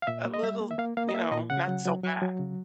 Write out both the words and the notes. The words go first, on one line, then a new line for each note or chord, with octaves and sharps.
a little, you know, not so bad.
F5
A#2 E5
A#3
D#5
G3 E5
A#3
E5
A#3 F5
A#3 F5
D#5
A#3 E5
A#2 D#5
C#3 F#5
F#3
F#3
F#3
F#3
C#3